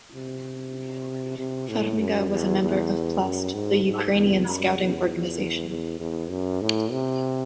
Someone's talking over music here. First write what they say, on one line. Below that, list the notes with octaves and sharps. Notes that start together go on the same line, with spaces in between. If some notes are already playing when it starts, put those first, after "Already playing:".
Farmiga was a member of Plast, the Ukrainian scouting organization.
C3
C3
A2
F#2
E2
E2
F#2
G#2
G#2
E2
F#2
E2
E2
E2
F#2
A2
C3